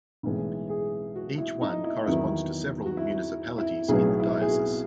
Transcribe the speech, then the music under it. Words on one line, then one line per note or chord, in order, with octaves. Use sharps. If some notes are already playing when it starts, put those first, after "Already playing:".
Each one corresponds to several municipalities in the diocese.
B1 A2 E3 G#3
G#4
F#4
E4
D#4
E4
E2 D#3 F#3 B3 E4
F#4
E4
E4
B1 A2 F#3 B3 G#4
E4
G#4
F#4